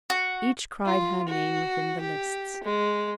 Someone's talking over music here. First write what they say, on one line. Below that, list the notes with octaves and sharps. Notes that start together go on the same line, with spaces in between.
Each cried her name within the lists.
F#4
F4
F#4
G4
G#3